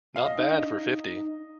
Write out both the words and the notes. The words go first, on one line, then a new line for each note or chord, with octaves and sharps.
Not bad for fifty.
F5
D#5
D#4
D4
D#4